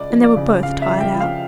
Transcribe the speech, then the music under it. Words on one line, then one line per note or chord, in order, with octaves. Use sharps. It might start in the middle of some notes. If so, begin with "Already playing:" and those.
And they were both tired out.
Already playing: C#2 D5
F3
D5
C#3
C#3 F5
E5
F3
G5
F3
F5